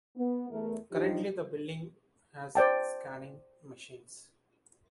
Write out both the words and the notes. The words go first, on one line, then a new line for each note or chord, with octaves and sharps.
Currently, the building has scanning machines.
B3
E2 A3 A#4
F3 D4 D#4 G4
C5 D5 G5 A5